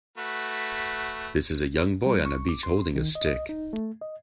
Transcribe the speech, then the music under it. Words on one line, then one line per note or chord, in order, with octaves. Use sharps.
This is a young boy on a beach holding a stick.
A3 F#4 B4
G3
C#6
D6
C6
D#3
D#5
D#5
D#4
A3
D#5